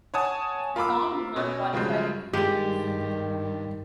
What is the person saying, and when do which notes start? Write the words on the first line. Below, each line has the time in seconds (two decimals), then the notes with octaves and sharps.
The song did not qualify in the finals.
0.14 C#5 F#5 G#5 A5 D#6
0.76 F4 A#4 B5 D6 E6
1.36 B2 C#4
1.73 G2 C#3 F3 F#3 G#3 G6
2.33 G2 D#3 G#3 G4 D5